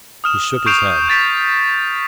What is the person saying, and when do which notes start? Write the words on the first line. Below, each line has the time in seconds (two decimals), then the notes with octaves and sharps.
He shook his head.
0.24 D#6 F6 E7
0.66 C#6 G6 C7 D7 E7 F7
1.08 G6 A6 B6 D7